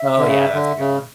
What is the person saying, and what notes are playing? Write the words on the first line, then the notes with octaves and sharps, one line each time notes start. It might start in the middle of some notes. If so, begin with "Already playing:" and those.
Oh, yeah, that's a good one.
Already playing: E5
D3
C#3
D3
C#3